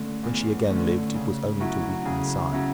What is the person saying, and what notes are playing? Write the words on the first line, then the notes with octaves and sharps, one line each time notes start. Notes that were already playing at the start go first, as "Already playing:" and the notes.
When she again lived, it was only to weep and sigh.
Already playing: D3 A3 C#4
E2
D3 A3 C#4
C#3
F#3 C#4 E4
C#3
F#3 C#4 E4